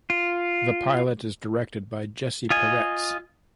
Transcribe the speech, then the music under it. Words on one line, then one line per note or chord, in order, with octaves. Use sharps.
The pilot is directed by Jesse Peretz.
F4
F4 D#5 G#5